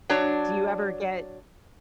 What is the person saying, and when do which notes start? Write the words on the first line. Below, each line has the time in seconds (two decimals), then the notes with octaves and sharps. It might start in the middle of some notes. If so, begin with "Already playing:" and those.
Do you ever get,
0.10 F#3 D4 C#5